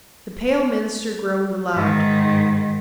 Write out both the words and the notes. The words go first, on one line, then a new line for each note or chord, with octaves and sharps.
The pale minister groaned aloud.
G#2 D#3